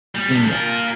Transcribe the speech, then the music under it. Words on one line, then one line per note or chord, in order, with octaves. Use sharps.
you're being
G3
C3 D4
F4 A#4